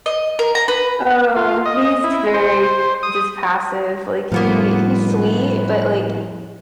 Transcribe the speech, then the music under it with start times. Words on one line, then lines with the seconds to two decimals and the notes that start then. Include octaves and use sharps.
So, he's very just passive, like, he he's sweet, but, like,
0.06 D#5
0.39 A#4
0.55 A#5
0.68 B4
1.36 F4
1.66 D#5
2.04 E4
2.34 C5
3.03 D#6
4.32 A2 F3 G3 A#3 B3 F4 B4